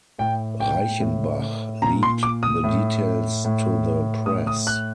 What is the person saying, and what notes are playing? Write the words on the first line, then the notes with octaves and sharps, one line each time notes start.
Reichenbach leaked the details to the press.
A2 G5
G5
A2
A#2 A#5
C6
D6
D#6
A2
A2
A2 D#6
D#6
F#6